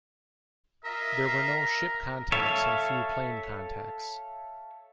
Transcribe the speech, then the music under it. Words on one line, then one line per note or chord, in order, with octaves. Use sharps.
There were no ship contacts and few plane contacts.
F4 A#4 D#5 E5
A4 C#5 E5 F5